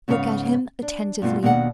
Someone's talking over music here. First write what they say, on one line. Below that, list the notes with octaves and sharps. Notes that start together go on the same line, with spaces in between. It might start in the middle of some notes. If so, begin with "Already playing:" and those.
Look at him attentively.
G#2 C#3 B3 A4 C#5 F5
D4
G2 B2 A3 F4
D#2 B2 D4 A#4 F#5